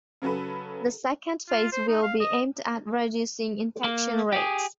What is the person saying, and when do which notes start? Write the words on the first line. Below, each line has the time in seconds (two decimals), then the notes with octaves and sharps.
The second phase will be aimed at reducing infection rates.
0.22 C#3 F#3 C#4 A4 B4
1.49 F4
1.72 C5
1.88 D#4
2.03 F5
2.20 D#5
3.84 A#3
4.33 G4 G#4